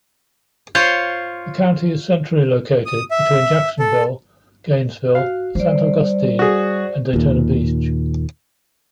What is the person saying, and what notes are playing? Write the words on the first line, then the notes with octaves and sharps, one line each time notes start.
The county is centrally located between Jacksonville, Gainesville, Saint Augustine, and Daytona Beach.
F4 C5 C#5
D#6
E5
A4
F#4 F5
G3 C5 D5
F#4 G#4
D#2 A#2